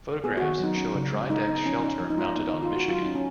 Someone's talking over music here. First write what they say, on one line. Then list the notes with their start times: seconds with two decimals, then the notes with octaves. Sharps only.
Photographs show a dry deck shelter mounted on "Michigan".
0.24 B3 G#4
0.37 D#3 F#4
0.59 F#3 D#4
0.77 C#4
0.95 C#3
1.12 G#3
1.30 G#3 D#4
1.47 B3 D#4
1.65 F3 C#4
1.83 C#4 D#4
2.00 F3
2.10 D#4
2.17 G#3 F4
2.36 B3 D#4
2.49 D#3 D#4
2.63 F4
2.70 G#3 F#4
2.88 F#3 F4
3.02 C#4 D#4
3.15 C#4